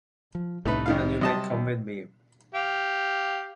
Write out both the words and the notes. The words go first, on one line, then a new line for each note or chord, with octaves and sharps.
And you may come with me.
F3
C2 A2 C3 A3 D#4 B4
G#1 D#3 F5
C3 F#3 G3 D#5 A5
D#2
G4 F5